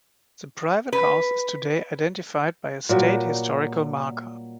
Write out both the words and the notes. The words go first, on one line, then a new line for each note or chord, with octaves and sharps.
The private house is today identified by a state historical marker.
B4
A#2 F#3 G3 F#4